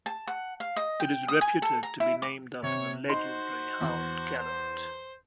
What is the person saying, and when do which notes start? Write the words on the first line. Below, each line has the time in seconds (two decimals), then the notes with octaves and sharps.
It is reputed to be named after the legendary hound Gelert.
0.06 A5
0.28 F#5
0.60 F5
0.76 D#5
1.00 G5
1.28 D#6
1.41 G#5
1.62 A4
1.83 A#5
2.00 E4
2.22 D6
2.63 C3 C#5
3.09 D#4 F#4 C5 C6
3.81 E2
4.39 C5